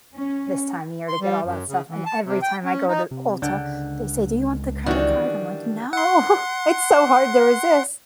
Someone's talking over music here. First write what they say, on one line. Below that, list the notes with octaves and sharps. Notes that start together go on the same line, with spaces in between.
this time of year to get all that stuff, and every time I go to Ulta, they say, "Do you want the credit card?" I'm, like, “No.” It's so hard to resist.
C#4
C6
G3
F#2
C#3
E3
A5
C3
G5
C#4
D#4
C3
C#2 D3 G5
D#3 E3 G3 D4 F#4
F#5 C6